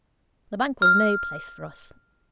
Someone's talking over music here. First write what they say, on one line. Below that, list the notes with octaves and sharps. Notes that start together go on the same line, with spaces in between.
The bank was no place for us.
F6